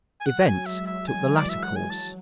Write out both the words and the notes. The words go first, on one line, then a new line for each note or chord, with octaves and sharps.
Events took the latter course.
G#5
F#3 F#5
G#5
G#3 E5
E5
E3 G#5
D5
F#3 E5
F#5
G#5
F#3 A5